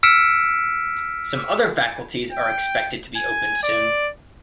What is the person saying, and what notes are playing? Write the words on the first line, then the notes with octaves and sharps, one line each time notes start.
Some other faculties are expected to be opened soon.
E6 F6 B6 C#7 D7 E7
G5
G#5
D5